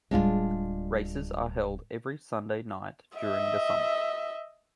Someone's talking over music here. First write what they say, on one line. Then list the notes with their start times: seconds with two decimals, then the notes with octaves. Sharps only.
Races are held every Sunday night during the summer.
0.11 D1 G3 G#3 D4 F4
3.18 D#5 E5